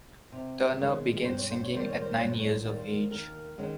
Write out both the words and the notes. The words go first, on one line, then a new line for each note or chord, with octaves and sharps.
Turner began singing at nine years of age.
C3
D#3 G#3 C#4
G2 C5
C#5
C5
C#5
D#3 G3 A#3 C5
C#5
C5
G2 C#5
C5
C#5
C5
D#3 G3 A#3 C#5
C5
D#2 A#4
D#3 G#3 C#4